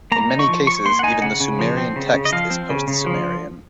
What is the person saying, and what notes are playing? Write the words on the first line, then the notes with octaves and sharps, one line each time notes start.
In many cases, even the Sumerian text is post-Sumerian.
A#3 A#5
D#4
C#6
F3
F3 C#6
A#3 C6
F#5
D#4 G#5
C#3 F#5
C#3
F3
C4
C#3
C#3
D#5
F3 F5
C4
C#3
C#3
F3